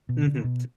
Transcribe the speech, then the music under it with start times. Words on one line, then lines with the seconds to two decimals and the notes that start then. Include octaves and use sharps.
Mhm. T
0.09 B2
0.27 D3
0.44 B2